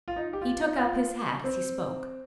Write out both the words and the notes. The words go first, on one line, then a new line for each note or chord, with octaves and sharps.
He took up his hat as he spoke.
F4
D#4
G4
F4
F4
C4